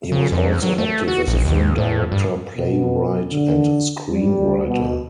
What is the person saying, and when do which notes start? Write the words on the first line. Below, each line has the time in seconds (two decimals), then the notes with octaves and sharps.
He was also active as a film director, playwright and screenwriter.
0.12 C#3
0.32 F2
0.63 F#3
0.78 A3
1.08 F#4
1.28 A#1
1.45 D#2
1.78 A2
2.12 G2
2.56 B2
3.31 D3
4.10 G3
4.67 B2